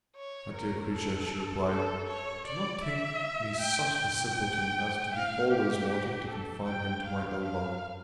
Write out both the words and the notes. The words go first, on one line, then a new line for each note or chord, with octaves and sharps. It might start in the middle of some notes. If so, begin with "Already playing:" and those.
My dear creature," she replied, "do not think me such a simpleton as to be always wanting to confine him to my elbow.
C#5
A#4
A4
A4
C#5
D5
E5
G5
G5
F5
G4
A4
G5
F5
F5